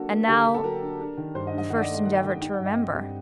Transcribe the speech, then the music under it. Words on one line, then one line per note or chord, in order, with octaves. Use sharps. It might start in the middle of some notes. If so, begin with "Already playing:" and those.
And now the first endeavor to remember.
Already playing: F#3 A#3 D4 F#4 A4
A#3
D3 G4
D3
A4
F#3 A#4
D4
D4
D#3
G2 C5
D#5
D4
D#5
D#3 F#5
D5
D#5
A3
D#5
D#3 F#5
G5
D#3 F#5
D#4 G5
F#5
G2
D#5
C4 D#5
G2